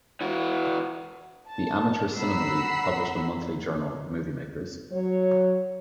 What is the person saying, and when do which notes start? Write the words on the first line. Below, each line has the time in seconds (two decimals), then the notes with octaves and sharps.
The Amateur Cinema League published a monthly journal, "Movie Makers".
0.21 E3 F#4
1.49 A5
2.16 F#5 A#5 B5 E6 B6 C7
4.92 F#3 C#5